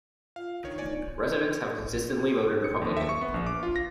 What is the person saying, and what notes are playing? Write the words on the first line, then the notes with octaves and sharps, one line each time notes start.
Residents have consistently voted Republican.
F4 F5
D#3 D4 C#5
A3 B3 D#4 C#5 D5 G#5
C#7
D#2
E5
C#6
B3
A#1
D6
F4
A#6